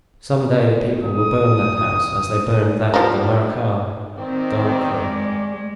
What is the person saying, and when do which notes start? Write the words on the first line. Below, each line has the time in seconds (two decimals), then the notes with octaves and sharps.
Some day the people will burn that house, as they burned that of the Marechal d'Ancre.
1.04 D#6
2.94 F3 G3 A#3
4.17 D#3 C4 D5
5.00 G#3